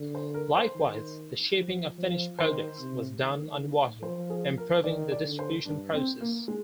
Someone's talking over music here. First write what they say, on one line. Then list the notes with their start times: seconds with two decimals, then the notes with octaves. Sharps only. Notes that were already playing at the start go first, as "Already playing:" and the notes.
Likewise, the shipping of finished products was done on water, improving the distribution process.
Already playing: D3
0.15 C5
0.34 A#4
0.55 C5
0.75 D#3
1.58 F3
1.98 F3
2.39 D#3 C5
2.79 C3
3.21 D#3
4.02 F3 C5
4.30 G#4
4.58 A#4
4.84 D#3 D5
5.12 D5
5.25 D3
5.39 C5
5.66 G2 D4
5.94 C4
6.21 A#3
6.48 G#3